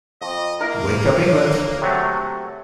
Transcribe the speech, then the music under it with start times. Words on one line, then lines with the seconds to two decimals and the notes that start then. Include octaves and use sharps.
Wake up England!
0.22 F2 D#5
0.61 A#3 E4 A#4 E5 F#5
1.27 C#5 E5
1.81 C3 F#3 A3